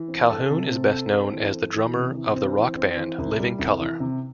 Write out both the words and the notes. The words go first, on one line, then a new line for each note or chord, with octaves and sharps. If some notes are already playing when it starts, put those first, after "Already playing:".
Calhoun is best known as the drummer of the rock band Living Colour.
Already playing: E3
C4
A4
C3
C4
A4
C4
E3
A4
E3
C3
E3
C4
E3
C4
E3
C2
G3
C2
E3
C3